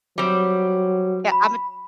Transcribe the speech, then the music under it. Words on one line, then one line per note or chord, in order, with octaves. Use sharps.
yeah, I'm a
F#3 G3 C4
B5